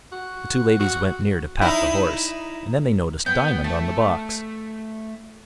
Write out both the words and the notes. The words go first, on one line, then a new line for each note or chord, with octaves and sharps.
The two ladies went near to pat the horse, and then they noticed Diamond on the box.
F#4
F#4
D#4 E4
B3 G5
A3 A5